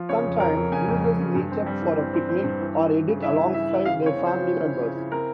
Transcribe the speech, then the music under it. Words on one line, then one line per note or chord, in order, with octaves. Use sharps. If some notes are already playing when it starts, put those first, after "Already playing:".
Sometimes, users meet up for a picnic, or edit alongside their family members.
Already playing: F3
C#3 C#5
F2
F2 A#4
F2
C#3 G#5
F2
F2
C#3
G2
C4
G3
E3
C4
C4
C4
G2
E3
E3
E3
C#3
E4 E5
E3
E4 E5
E3
C#3 F5
C4 C#5
C#3
C5
F3
F3
E4
C#3
E4
C4 A#4